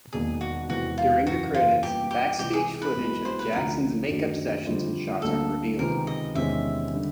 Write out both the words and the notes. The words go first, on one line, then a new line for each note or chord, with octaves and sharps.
During the credits, backstage footage of Jackson's make-up sessions and shots are revealed.
E1 D#2 D#3 G#4
F#4
E1 E2 C3 E3 G#3 F#4
F4
F#2 C#3 E3 F#4
F4
A#2 G3 B3 G4
G4
C#2 C3 E3 G#3 G4
G#4
B4
B1 B2 G#3 B3 E4
C5
B4
D2 D3 F3 A#4
F#2 D#3 F#3 A3 D4
F2 D3 G3 C4
D2 D3 G3 A#3 A4
C#2 C3 D#3 G#3 B3 A#4
D#5
E2 C3 D#3 G#3 C#4 E5
D3 G3